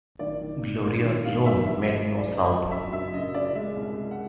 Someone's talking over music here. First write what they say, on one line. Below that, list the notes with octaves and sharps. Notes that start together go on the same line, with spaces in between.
Gloria alone made no sound.
D#3 D5
D#3
A#3
A#3
D#3
G3 F5
F#2 E5
G3 E5
G1 D#5
F#2
D5
C#3
D#5
G1
F#2 E5
F#2 E5
C#3 D#5
C#3 D5
G#3 E5
C2
G#3
F#5